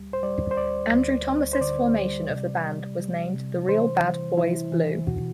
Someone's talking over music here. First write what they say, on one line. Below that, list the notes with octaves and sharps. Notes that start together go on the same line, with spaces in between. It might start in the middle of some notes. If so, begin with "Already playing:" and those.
Andrew Thomas' formation of the band was named "The Real Bad Boys Blue".
Already playing: D2 G3
C5
G3 D5
C5
D2 D5
D2
D2
C5
D3 D5
G3
C3
G3
G3
C3
E3 C5
E3
E3 E4
E3
B2 F#4